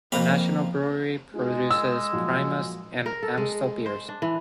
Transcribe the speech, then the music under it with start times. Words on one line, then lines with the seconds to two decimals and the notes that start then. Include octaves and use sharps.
A national brewery produces Primus and Amstel beers.
0.12 F2 A#3 F5 A#5 B5
1.34 G#3 D#4 F4 G#4
1.71 E6 A6
2.13 A#2 F3 F#3
3.06 A#4
3.23 A4
3.38 G#3
3.86 C5
4.09 D4
4.22 E3